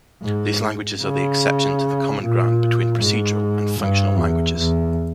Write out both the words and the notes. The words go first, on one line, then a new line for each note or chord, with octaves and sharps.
These languages are the exception to the common ground between procedural and functional languages.
G#2
C#3
A#2
G#2
G2
E2
E2